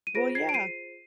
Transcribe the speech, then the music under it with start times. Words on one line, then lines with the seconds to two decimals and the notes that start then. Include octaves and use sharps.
Well, yeah.
0.07 D#7
0.15 F4 G#4 C5 A#6 D7
0.35 G#6 C7
0.49 D7
0.54 C7 D#7